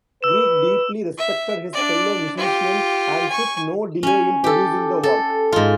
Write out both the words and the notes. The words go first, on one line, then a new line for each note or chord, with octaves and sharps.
Grieg deeply respected his fellow musician and took no delay in producing the work.
B4 E6 E7
E5
D4 D5
F4 G4
G#5 C#6
C#4 G#5
G4 A4
A4
G#2 F4